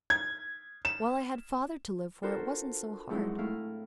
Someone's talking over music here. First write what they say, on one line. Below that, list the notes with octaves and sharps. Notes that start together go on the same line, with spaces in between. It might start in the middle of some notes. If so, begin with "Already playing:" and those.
While I had Father to live for it wasn't so hard.
G#6
E7
D4 F4 F#4 A4 A#4 C5
F2 G#2 F#3 E4
A2 E4 F5